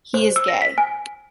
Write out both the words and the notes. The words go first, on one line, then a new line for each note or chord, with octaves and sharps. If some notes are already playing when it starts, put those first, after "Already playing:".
He is gay.
C5
E6
A#6
B6
G#5